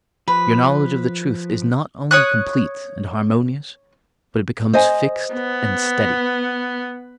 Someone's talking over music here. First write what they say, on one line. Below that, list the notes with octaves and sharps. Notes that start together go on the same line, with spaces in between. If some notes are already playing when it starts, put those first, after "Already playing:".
Your knowledge of the truth is not only complete and harmonious, but it becomes fixed and steady.
F3 B4
C#5 D#6 F#6
C5 D#5 G#5
B3